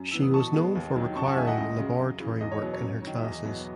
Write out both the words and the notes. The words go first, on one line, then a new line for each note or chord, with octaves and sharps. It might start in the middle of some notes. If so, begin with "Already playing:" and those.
She was known for requiring laboratory work in her classes.
Already playing: F#2
E3 B3 E6
D#6
B2 A5 C#6
G#3 B3
D#2
D#3 F#3
F#2 A5 C#6
F#5 A5
D#3 G#3 E5 G#5
D#5 F#5
C#2 D#5
C#3 G#3
F#2
C#3 E3
E2 D#5
C#5
B2 F#3 B3
C#5
F#2
D#3 F#3
E5
E2 D#5
B2 F#3 B3